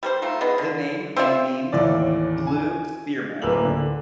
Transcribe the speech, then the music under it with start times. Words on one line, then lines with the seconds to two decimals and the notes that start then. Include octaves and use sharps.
The name in means "blue spearman".
0.03 G3 A#4 C5
0.22 A3 D#4 F4
0.41 B3 G#4 D#5
0.58 D3
1.16 C4 F4 D5 E5
1.72 D#2 A2 E3 D5
2.47 G#5
3.42 D1 A#3 B4 E6 F7 F#7
3.65 D3